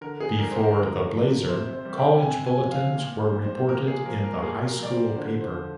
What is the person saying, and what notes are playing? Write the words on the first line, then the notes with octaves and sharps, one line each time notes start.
Before "The Blazer", college bulletins were reported in the high school paper.
D3 A#4
G#4
G3 A#4
C5
A#4
D3
F3
C3 C5
C5
G3
G5
C3 G#5
G#5
F3
F5
A#2
C5
G3
C5
A#2 A#4
G#4
F3 A#4
A#4
A#2 G#4
A#4
G3 D5
C5
D3 C5
C5
F3